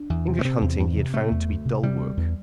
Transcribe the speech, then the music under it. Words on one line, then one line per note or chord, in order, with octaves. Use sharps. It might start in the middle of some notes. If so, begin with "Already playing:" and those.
English hunting he had found to be dull work.
Already playing: D4
E2
C3
A3
C3 C4
E2
E2
C3
C3 A3
E2
D2
C3
C3 G3
D2
E2